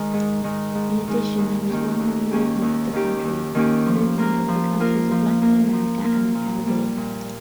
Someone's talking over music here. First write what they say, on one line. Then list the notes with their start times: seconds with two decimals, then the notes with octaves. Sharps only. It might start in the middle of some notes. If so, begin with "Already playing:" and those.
In addition there is one more movement of the countries - movement of the countries of Latin America and the Caribbean.
Already playing: D#3 G#3
0.13 G#2
0.44 D#3 G#3
0.75 G#2
1.07 D#3 G#3
1.38 D#2
1.69 D#3 A#3 C#4 G4
1.99 D#2
2.31 D#3 A#3 C#4 G4
2.62 D#2
2.93 D#3 A#3 C#4 G4
3.24 D#2
3.55 D#3 A#3 C#4 G4
3.86 F3
4.18 A#3 F4 A#4
4.48 F3
4.80 A#3 F4 A#4
5.11 F3
5.42 A#3 F4 A#4
5.73 F3
6.04 A#3 F4 A#4
6.35 A#2
6.66 G3 A#3
6.97 A#2